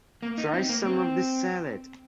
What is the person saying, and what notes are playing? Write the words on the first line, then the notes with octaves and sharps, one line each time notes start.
Try some of this salad.
A#3
D#4
C4
A#3
C4